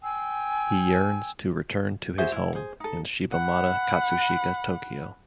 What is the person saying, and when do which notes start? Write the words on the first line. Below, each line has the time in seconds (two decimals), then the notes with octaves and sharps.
He yearns to return to his home in Shibamata, Katsushika, Tokyo.
0.02 G5 G#5 E6
2.18 F#4 G#4 C5 E5
2.32 E4
2.55 G#4 C5
2.80 D#4 A4
3.32 F#5 B5